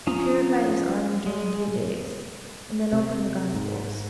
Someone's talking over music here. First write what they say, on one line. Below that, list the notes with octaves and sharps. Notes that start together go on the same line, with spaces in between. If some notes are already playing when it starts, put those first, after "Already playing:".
He purified his army during three days, and then opened the Gospels.
F3 C#4 F4 A#5 D#6
G#3
C3
G#2